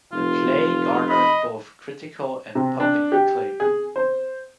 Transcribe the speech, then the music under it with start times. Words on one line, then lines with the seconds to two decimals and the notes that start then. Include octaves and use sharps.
The play garnered both critical and public acclaim.
0.12 F1 F4
1.09 D#5 B5
2.55 C3
2.80 D4
3.12 G4
3.60 G#4
3.96 C5